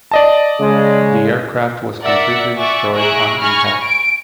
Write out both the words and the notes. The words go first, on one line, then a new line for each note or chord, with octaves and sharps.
The aircraft was completely destroyed on impact.
D5 D#5 A5
C#3 G#3
A#4 D5 E5 F#5
D5 E5 F#5 G#5 C#6 D6
G#4 E5 A#5 C#6 F#6 D7
G#5 B5 C#6 F6 A#6
D7